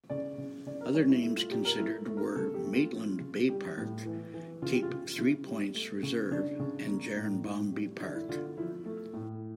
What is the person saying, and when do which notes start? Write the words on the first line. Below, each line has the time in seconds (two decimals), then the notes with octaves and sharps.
Other names considered were "Maitland Bay Park", "Cape Three Points Reserve" and "Gerrinbombi Park".
0.10 C#3 D5
0.38 C#3
0.66 C#3 D5
0.81 A#4
0.94 G3 C#5
1.09 E4
1.22 A3 E4
1.37 F4
1.51 A#2 G4
1.65 A#4
1.79 A3 E4
2.08 A3
2.17 A#4
2.36 C#3 A4
2.54 G4
2.64 A3
2.74 F4
2.92 F3
3.20 C#3
3.49 G3 G4
3.77 A2
4.06 E3
4.34 E3
4.62 C#3 F4
4.72 G4
4.82 F4
4.90 C#3
5.18 C#3 E4
5.46 G3
5.74 A3
6.03 C#3
6.31 C#3 D4
6.60 C#3
6.87 A#3
7.16 A2
7.44 A2 E4
7.72 G3
8.00 D3 D4
8.15 E4
8.29 D3 F4
8.57 F3 E4
8.85 A3
9.14 A2